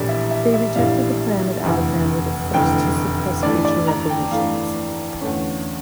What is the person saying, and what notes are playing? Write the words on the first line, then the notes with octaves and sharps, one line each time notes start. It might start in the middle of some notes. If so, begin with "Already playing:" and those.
They rejected the plan of Alexander the First to suppress future revolutions.
Already playing: A#1 A2 E3 G3 D5
E5
E5
E5
A#1 A2 E3 G3 F5
F1 E2 D3
F1 E2 D3 G5
G2 E3 A3 D5
D5
A#5
G5
G2 E3 A3 F5
E2 D3 A3 C#4